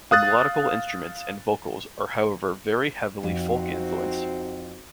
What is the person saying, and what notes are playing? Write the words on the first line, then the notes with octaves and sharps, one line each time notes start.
The melodical instruments and vocals are however very heavily folk-influenced.
F5 D#6 F#6 A6
F2 C4 D#4 F#4